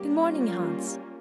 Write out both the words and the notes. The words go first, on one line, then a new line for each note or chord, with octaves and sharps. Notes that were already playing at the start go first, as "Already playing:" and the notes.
'Good morning, Hans.
Already playing: G3 A#3 C#4 G4
F4